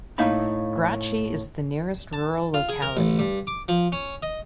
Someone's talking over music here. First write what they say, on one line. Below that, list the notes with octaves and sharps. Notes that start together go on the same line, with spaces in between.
Grachi is the nearest rural locality.
A2 A#3 D#4 E5 F5 B5
A5
F4
G#4
A#4
A1
G2
D6
F3
C#4
D#5